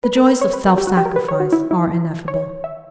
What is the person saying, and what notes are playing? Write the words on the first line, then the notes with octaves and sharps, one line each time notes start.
The joys of self-sacrifice are ineffable.
B4
A#4
B4
C#5
B4
A#4
G4
F#4
G4
A#4
B4
C#5
F#4
E4
E4
C#5
E5